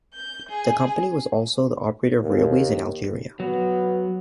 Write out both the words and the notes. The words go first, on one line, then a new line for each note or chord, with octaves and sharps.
The company was also the operator of railways in Algeria.
G6
G#4
D#2
F#3 B3